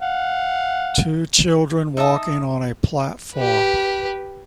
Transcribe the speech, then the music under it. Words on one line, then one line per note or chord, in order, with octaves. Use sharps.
Two children walking on a platform.
F5 F#5
D#4 E5 A5 D#6
G4 B4